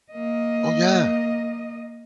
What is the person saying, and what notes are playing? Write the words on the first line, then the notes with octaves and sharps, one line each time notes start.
Oh yeah.
A#3 D#5